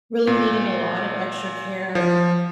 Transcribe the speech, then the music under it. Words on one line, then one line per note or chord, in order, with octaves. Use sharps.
really needing a lot of extra care,
A#2
F3